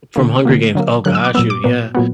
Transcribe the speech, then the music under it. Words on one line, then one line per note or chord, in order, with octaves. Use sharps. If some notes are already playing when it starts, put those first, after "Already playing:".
from Hunger Games oh, got you, yeah.
D3 F#3 A#3
D3 F#3 A#3
D3 F#3 A#3
D3 F#3 A#3 F#6
E6
D6
A#2 F#3 B3 E6
D6
A#2 F#3 B3
A#2 F#3 B3